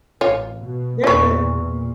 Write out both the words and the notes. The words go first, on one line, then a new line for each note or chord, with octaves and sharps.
They're the
A1 F4 C#5
B2
E2 A#2 F4 B4 D5 C#6
A#2